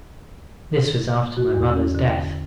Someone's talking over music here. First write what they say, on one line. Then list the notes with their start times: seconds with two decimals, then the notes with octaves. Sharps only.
This was after my mother's death.
1.37 F#4
1.54 E2
1.71 C#4
1.95 D3
2.08 G5